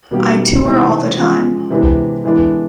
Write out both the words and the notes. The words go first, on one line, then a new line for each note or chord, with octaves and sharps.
I tour all the time.
B2 G3 A#3 D#4 G4
C3 E3 G#3 C4 D#4
F3 G#3 C#4 F4
C3 E3 G#3 B3 D4
A2 E3 G#3 B3 D4